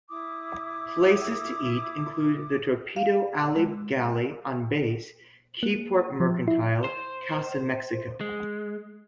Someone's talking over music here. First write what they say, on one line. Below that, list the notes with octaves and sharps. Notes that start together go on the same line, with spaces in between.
Places to eat include the Torpedo Alley Galley on base, Keyport Mercantile, Casa Mexico.
E4 D6 D#6
F5
G#3
A#3
F3
E4
C5
G#3